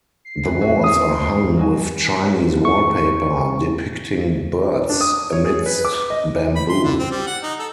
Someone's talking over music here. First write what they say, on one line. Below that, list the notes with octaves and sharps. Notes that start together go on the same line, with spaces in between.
The walls are hung with Chinese wallpaper depicting birds amidst bamboo.
C7
B4
G#3 C#4 F#4
C#4 E4 D#6
G3 A#3 F#4 G#5
C#6
D4
D#6
C#5
G#4
B4
D6
D#5
B5
C6
D3
C4
G3
F#5
D#4
A4